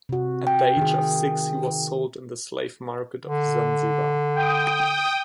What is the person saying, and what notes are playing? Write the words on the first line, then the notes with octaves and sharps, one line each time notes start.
At the age of six he was sold in the slave market of Zanzibar.
C3 F#4
G5
D#3 G#4
D3
G5 D#6